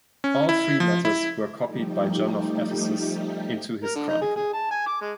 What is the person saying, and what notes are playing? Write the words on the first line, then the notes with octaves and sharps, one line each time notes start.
All three letters were copied by John of Ephesus into his chronicle.
C#4
E4
F3
E4
F3 G3 A3 D#4 G4
A#4
D3
D#4
G#4
G#4
A5
G#5
D6
G#3